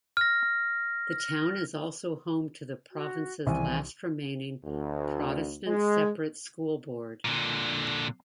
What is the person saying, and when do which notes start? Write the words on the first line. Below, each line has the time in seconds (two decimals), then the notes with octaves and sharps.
The town is also home to the province's last remaining Protestant Separate school board.
0.17 F6 A#6
2.92 F#4
3.47 C2 C3 D#3 E3 G#5
4.65 D2
5.66 G#3
7.25 A#2 D3